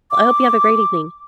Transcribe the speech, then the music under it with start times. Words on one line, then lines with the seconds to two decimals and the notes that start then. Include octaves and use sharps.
I hope you have a great evening.
0.11 D6